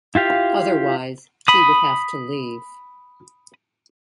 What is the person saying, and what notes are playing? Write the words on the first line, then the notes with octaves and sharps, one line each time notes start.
Otherwise, he would have to leave.
E4 F4 G4 F5
B5 D#6